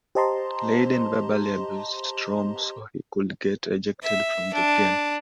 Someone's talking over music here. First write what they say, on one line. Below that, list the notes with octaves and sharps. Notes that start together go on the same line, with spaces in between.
Layden verbally abused Strom so he could get ejected from the game.
G4 C5 D#5 A5 A#5 C6
E5
D4